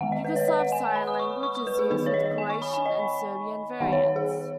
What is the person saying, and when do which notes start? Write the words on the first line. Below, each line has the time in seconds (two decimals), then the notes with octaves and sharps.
Yugoslav Sign Language is used with Croatian and Serbian variants.
0.01 D#3 G#3 B3 F#5
0.12 D#5
0.25 B4
0.36 C#5
0.48 D#5
0.60 F#5
0.72 G#5
0.84 G#5
0.96 B5
1.07 D#6
1.19 C#6
1.43 C#6
1.55 C#6
1.67 B4
1.79 G#4
1.90 D#3 B3 D#4 B4
2.06 C#5
2.14 D#5
2.26 D#5
2.38 G#5
2.50 C#6
2.62 B5
2.74 G#5
2.86 D#5
3.80 D#3 B3 D#4 F#5
3.92 C#5
4.16 G#4